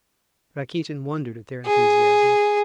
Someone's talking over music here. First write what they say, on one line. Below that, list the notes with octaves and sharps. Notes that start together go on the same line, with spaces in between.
Rakitin wondered at their enthusiasm.
G#4